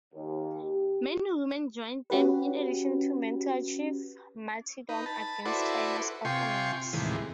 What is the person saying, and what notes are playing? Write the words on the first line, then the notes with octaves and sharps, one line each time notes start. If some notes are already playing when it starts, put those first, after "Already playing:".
Many women joined them in addition to men to achieve martyrdom against China's opponents.
D#2
G4
C#4 F#4 G4 B4
D#4 B4
A5 B5
E4 F#4 A4 B4 C5 D5
C3 F4 G5 G#5 C6 C#6
D#2 A2 C3 E3 G#3